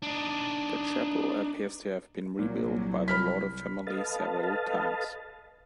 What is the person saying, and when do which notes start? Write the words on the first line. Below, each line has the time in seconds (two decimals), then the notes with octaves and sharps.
The chapel appears to have been rebuilt by the Lauder family several times.
0.02 D4 D#4
2.39 C2 A#2 F#3
3.08 B5 F6 B6
3.87 A4 B4 D#5 F5 A5